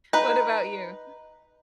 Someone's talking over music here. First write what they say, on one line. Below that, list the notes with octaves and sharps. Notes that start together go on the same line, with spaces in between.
What about you?
D#4 B4